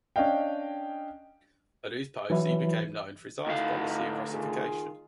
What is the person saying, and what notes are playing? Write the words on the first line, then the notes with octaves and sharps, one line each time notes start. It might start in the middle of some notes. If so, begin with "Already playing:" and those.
At these posts, he became known for his harsh policy of Russification.
C#4 D4 D#5 F5 G5
E3 F#3 E4
D2 A3 D#4 E4 F5
D#3 F4 G#4